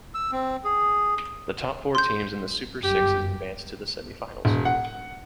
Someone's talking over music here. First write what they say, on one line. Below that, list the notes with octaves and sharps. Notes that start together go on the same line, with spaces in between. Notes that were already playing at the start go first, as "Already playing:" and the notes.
The top four teams in the Super Sixes advanced to the semi-finals.
E6
C4
G#4
C6 G6
G1 F#2 G4
E1
F#5